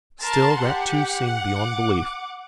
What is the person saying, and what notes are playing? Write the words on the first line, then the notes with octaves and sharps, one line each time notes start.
Still, that too seemed beyond belief.
A#4 A5 C6
G4 F#5
D6